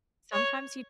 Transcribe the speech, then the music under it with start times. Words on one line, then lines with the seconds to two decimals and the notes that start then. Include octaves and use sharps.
sometimes you
0.33 C#5